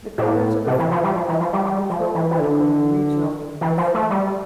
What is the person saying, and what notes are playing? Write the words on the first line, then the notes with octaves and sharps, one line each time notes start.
The colours of the flag carry cultural, political, and regional meanings.
A2
C3
E3
F3
G3
F3
E3
F3
G3
G3
F3
E3
E3
D3
E3
F3
A3
G3